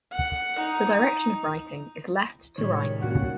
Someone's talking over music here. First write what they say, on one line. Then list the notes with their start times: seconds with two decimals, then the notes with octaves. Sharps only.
The direction of writing is left to right.
0.13 F#5
0.60 D#4
2.58 A2 C3 D#3 G3 G#3 C#5
3.02 A#3 C#4 F#4 F#5